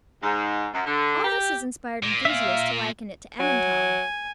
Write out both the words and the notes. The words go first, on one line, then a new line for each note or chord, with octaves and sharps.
All this has inspired enthusiasts to liken it to Emmentaler.
G#2
F#2
D3
G4
A#2
E5 F5
F#3 G#5